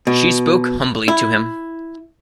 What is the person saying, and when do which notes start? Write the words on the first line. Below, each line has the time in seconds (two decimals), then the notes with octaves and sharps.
She spoke humbly to him.
0.07 B2
1.08 E4